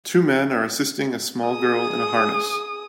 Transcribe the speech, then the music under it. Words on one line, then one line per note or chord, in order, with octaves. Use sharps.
Two men are assisting a small girl in a harness.
G#4 D#6